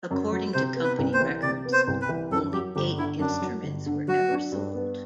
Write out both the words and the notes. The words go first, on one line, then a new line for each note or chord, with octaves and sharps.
According to company records, only eight instruments were ever sold.
F#2
F#3
C3 C5
B3
B4
C2
C5
E3
C3 D5
B3
C5
C2
B4
E3
F#2 A4
F#3 G4
G1 G4
D3 E4
F#2 D4
F#3
G1
D3
F#3 F#4
D4
G2
B3